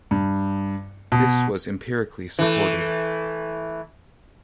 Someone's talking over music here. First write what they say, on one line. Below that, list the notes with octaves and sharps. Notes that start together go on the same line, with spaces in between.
This was empirically supported.
G2
B2
E3 A3